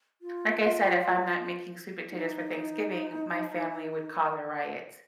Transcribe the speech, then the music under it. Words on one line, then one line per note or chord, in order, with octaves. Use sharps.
Like I said, if I'm not making sweet potatoes for Thanksgiving, my family would cause a riot.
F4
D#4